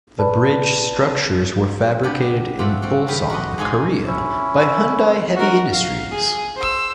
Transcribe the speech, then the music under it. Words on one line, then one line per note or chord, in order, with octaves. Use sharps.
The bridge structures were fabricated in Ulsan, Korea by Hyundai Heavy Industries.
B4 D5 A5 B5
B3 D4 G4
A3 C4 D4 F4 A4 F#5
C4 F#4 A4
D#3 G3 F4 B4
F#4 B4 D5 D#5
G#2 A#3 D#4 G#4 A4 G#5
C#4 E4
F#4 A#4
F5
G#4
C5 E6